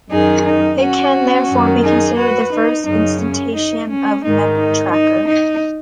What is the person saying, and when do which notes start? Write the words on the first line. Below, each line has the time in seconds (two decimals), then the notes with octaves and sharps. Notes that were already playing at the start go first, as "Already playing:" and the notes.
It can, therefore, be considered the first instantiation of a memetracker.
0.11 F#2 D#3 D#4 G#4
0.45 D#4
0.80 C#4 F#4
1.49 F#2 D#3
1.83 D#4 G#4
2.17 F#4 B4
2.52 D#4
2.86 F#2 C#3 D#4
3.20 C#4
3.55 D#4
3.89 C#4
4.24 G#2 D#3 D#4
4.58 D#4
4.92 D#4
5.27 D#4